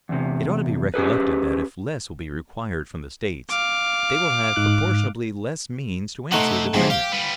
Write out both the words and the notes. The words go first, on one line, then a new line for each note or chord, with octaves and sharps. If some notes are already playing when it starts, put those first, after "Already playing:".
It ought to be recollected that if less will be required from the States, they will have proportionably less means to answer the demand.
E2 C3
C#4 G4 G#4 B4
F5 D6
G#2 D#4 F#6
C3 A3 D#4 F#5
E2 G#2 C3 F3
G4 F5
G3 B3